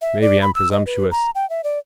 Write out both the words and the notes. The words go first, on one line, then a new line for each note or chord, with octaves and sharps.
Maybe I'm presumptuous.
E5
D5
B5
E6
D#5
B4
A#5
G5
E5
D5